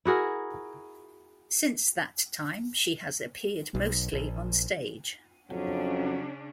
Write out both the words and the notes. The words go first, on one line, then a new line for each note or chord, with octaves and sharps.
Since that time she has appeared mostly on stage.
E4 F#4 G#4 A#4
B1
A#1
F2 C#3 F#3 C#4 D4